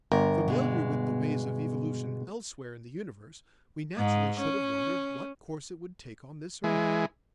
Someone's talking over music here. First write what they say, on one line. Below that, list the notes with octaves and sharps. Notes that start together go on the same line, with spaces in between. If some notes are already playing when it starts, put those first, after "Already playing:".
Familiar with the ways of evolution elsewhere in the universe, we naturally should have wondered what course it would take on this earth.
G1 A#4
B2 G#3
G#2
C#4
E3 G#3